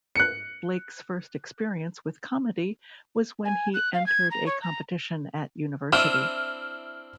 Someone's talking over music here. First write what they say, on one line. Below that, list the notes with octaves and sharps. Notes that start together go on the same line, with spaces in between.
Blake's first experience with comedy was when he entered a competition at university.
F#6 C#7
G#5
F#6
F5
G#6
A#5
C#5
A#5
C4 D4 E4 F6 D#7 E7